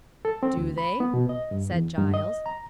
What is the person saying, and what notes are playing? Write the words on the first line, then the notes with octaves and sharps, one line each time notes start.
"Do they?" said Giles.
A4
C4
D2
B5
B3
B2
D#5
G2
E2
G2
D#5
A#5